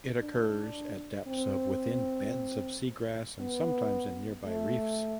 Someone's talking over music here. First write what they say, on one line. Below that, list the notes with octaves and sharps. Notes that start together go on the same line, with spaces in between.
It occurs at depths of within beds of seagrass and sometimes in nearby reefs.
D4
C4
B3
A3